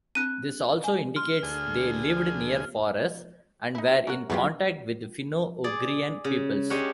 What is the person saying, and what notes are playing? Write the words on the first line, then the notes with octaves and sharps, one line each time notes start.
This also indicates they lived near forests and were in contact with Finno-Ugrian peoples.
C4 D4 F#6 D#7
G#5
C6 F6
D2 G#4
D#4 E4
C#4 A#4 F#5
E2 F#3 A3 B3 C#4 F4 G4
G#4 D5
C#3
G#3 C#4 D4 G4 C#5 F#5